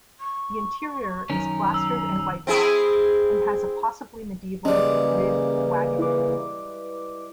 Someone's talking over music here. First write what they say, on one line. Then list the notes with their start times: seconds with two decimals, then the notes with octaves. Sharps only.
The interior is plastered and whitewashed and has a possibly medieval ribbed wagon roof.
0.20 C#6
1.30 F#2 D#3 C#4 A#5
1.74 E6
2.47 C4 E4 G#4
4.65 C#3 E3 G3 G#3 A#3 C#4
5.99 E4 B4 D6